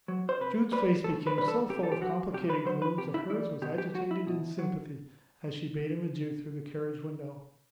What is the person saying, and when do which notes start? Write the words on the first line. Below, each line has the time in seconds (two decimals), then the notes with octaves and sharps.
Jude's face became so full of complicated glooms that hers was agitated in sympathy as she bade him adieu through the carriage window.
0.08 F#3
0.29 C5
0.40 C3 B4
0.72 G3 B4
1.04 A2 A4
1.27 B4
1.37 E3 G3 B4
1.48 A4
1.69 C3 G4
1.83 A4
1.92 G4
2.01 F#3 F#4
2.33 C3 G4
2.50 B4
2.65 F#3 C5
2.82 B4
2.98 C3 G4
3.14 E4
3.30 E3 E4
3.35 G3
3.62 B2 G4
3.78 G4
3.94 F#3 F#4
4.11 E4
4.27 B2
4.59 F#3